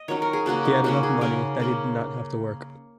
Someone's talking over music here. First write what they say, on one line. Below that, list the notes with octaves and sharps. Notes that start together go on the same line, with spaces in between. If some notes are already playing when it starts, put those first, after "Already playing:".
He had enough money that he did not have to work.
Already playing: D#5
D#3 F#3 C#4 C#5
A#4
G#4
C#3 A#3 C#4 F#4
D#4
C#3 A#3 C#4 F#4
G#4
C#3 A#3 C#4 A#4
C#3 A#3 C#4